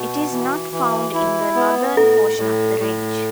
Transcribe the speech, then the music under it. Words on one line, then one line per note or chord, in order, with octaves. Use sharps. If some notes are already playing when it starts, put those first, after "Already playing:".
It is not found in the northern portion of the Range.
Already playing: B2 F#4
E3
E3
E4
B3
A2 A4
A2
A2